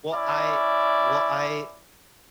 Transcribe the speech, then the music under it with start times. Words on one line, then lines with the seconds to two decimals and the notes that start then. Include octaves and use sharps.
Well, I uh, well, I
0.12 C#4 E4 D5